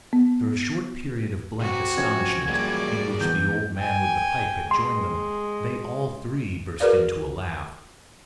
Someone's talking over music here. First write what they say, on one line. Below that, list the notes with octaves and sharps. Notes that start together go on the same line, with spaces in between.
After a short period of blank astonishment, in which the old man with the pipe had joined them, they all three burst into a laugh.
B3
C3 F#4
A#1 C#4 G#6
G3 G#3 A#3 F#4 D5
E2 G6
G5 G#5
G#3 C6
F#4 G#4 A#4 B4 D5 F5